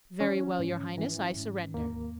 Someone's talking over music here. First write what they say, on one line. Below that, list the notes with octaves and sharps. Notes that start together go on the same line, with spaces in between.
"Very well, your Highness, I surrender."
E3 C#4
G#2
E3
G#2
D#2 A#3